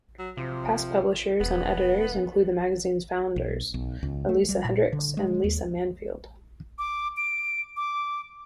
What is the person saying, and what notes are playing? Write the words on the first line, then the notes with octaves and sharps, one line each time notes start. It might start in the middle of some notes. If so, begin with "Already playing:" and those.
Past publishers and editors include the magazine's founder, Elisa Hendricks, and Lisa Manfield.
F#3
C3 F3
E1 B3
B1
B1
C#2
A3
G3
A#2
D3
G#3
D#2
D6
D7
D6